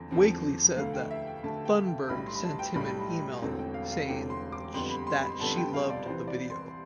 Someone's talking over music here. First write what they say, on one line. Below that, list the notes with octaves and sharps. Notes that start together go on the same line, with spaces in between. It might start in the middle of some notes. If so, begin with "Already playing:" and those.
Wakely said that Thunberg sent him an email saying that she loved the video.
Already playing: E2 D3 F3 C4
E2 D3 F3 C4
D2 D3 A3 F5
G5
E5
G5
D2 D3 A3 A5
G5
G5
B1 A2 G3 B5
C6
B5
A5
G5
B1 A2 G3 B5
E1 E2 D3 A3 C4
G5
F5
F5
E1 E2 D3 A3 C4 G5
C6
D6
F2 D3 G3 B3 C6
B5
C6
B5
F2 D3 G3 B3 A5
G5
F5
D5
C2 C3 E3 C5
D5
C6